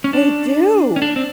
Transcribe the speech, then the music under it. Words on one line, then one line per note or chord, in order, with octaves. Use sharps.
They do!
C#4
D4
C#4
D4
C4